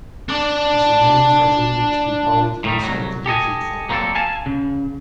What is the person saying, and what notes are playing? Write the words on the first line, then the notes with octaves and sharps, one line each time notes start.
His remains are rumoured to be buried inside the cathedral.
D4 D5
A2 D#3 G3
C2 F#3
G4 A4 D#5 G#5
F#3 A#3 C4 F4 A4 D5
F5 G#5 A5
C#3